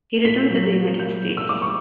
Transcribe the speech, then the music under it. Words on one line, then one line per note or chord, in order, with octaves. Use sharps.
He returned to the United States.
A#2 B6
F#3 A#3
A#2
F#3 A#3 G6
A#2
E6
G3 A#3 D6
C#6